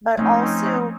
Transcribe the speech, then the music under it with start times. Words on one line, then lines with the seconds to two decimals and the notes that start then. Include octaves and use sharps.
but also
0.17 F3 A3 C4 C#4 D#4